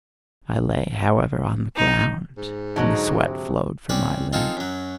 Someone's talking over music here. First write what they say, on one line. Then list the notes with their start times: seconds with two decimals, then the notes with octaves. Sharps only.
I lay, however, on the ground, and the sweat flowed from my limbs.
1.76 D#4
2.37 G#2
2.76 D3 F#3 G#3 D#4
3.27 C3
3.89 C4 C#4 B4 D5
4.33 C4 D#4 F4 G#4 A4
4.57 F#2 F#3